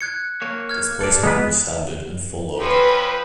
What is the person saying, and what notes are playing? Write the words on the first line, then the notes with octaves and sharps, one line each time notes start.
Displacement was standard and full load.
F#6 G#6 C#7
A#3 C#5
F6 G#6
A4 D5
G#3 B3 B4
F3 C4 C#4 B4